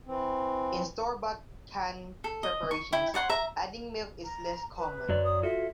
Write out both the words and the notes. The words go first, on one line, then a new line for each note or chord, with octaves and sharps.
In store-bought canned preparations, adding milk is less common.
E3 C4
A4
D#5
C#6
E4 G5
C#5 D5 F#5 C6
E5 A#5
A#5
B4
F#2 F#3 D5
D#6
F4 F#4 A4 E5